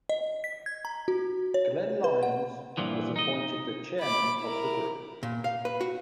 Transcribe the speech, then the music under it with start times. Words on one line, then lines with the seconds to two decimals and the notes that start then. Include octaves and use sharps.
Glen Lyons was appointed the Chairman of the group.
0.09 D#5
0.44 B6
0.66 G#6
0.85 A#5
1.08 F#4
1.54 C#5
2.04 B4
2.23 F#5
2.77 G2 A#2 E3 F3
3.16 D#4 D#5
4.00 B5 D6
4.40 E4 A#4
5.23 A#2
5.44 F5
5.65 B4
5.81 F#4